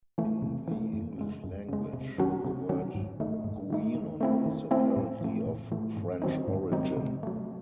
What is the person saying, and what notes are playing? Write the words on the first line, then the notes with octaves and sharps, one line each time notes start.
In the English language, the word "guenon" is apparently of French origin.
E3 A3
C3
E3 A3
F#2
C#3 G#3
F#2
C#3 G#3
C3
D#3 F#3 C#4 F#4
C3
D#3 F#3 C#4 F#4
G#2
D#3 A3 D#4
G#2
D#3 A3 D#4
D#3
A3 C4 E4
D#3
A3 C4 E4
A2
E3 A3
A2
E3 A3
G#2
D#3 F#3 C4 D#4
G#2
D#3 F#3 C4 D#4
C3
F#3 A3